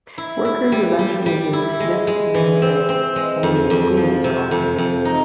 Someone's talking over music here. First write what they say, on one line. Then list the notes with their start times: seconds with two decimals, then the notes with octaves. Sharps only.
Workers eventually lay significant numbers of eggs only in queenless colonies.
0.18 E4
0.45 E4
0.72 G3
0.99 G3
1.26 G3
1.53 E4
1.80 G#3
2.07 G#3
2.34 E3
2.62 C4
2.89 C4
3.16 G#3
3.43 F2
3.70 F2
3.97 F3
4.24 C3
4.51 F2
4.78 F2
5.05 D#4